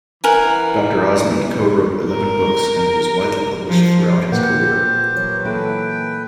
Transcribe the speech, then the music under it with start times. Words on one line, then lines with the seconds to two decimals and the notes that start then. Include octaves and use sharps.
Doctor Osmond co-wrote eleven books and was widely published throughout his career.
0.24 E3 A#4 F#5 G#5
2.09 A#4
3.68 F3
4.32 A#2 A#3 G4 B4 C5 F#5
5.17 E3 F#3 C#5
5.45 A#3 E4 A4 B4 G5